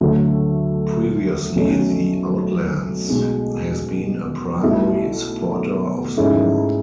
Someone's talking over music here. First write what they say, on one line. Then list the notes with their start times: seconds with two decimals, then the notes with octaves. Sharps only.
Previously the Outlands has been a primary supporter of the war.
0.01 D2 D3 F#3 A3
1.55 B1 B2 F#3 A3 C#4
3.09 B1 B2 G#3
4.63 B1 B2 A3 E4 A4
6.17 G#2 G#3 C#4 E4 A4